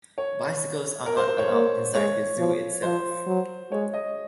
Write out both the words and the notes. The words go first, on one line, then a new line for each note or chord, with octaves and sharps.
Bicycles are not allowed inside the zoo itself.
C#5
A#4
C5
C5
C#5
A#3
G#3 C#5
F3
F3 C5
F#3
G#3 C#5
D#5